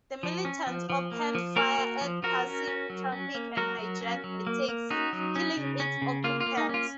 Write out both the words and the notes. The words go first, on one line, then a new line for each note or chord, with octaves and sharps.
The militants opened fire at passing traffic and hijacked a taxi, killing its occupants.
F3
C#4
F3
F3
A#3
F3
A#3 F#4 A#4
A#3
F3
F3 F#4 A#4
C#4
C#4
F#3
C#4
A#3
F#3 F#4 A#4
F#3
C#4
F#3
A#3
A#3
C#4 D#4 F#4
F#3
C#4
C#3
C#4
C#3
A#3 F4
F4
A#3
D#4
C#4 F4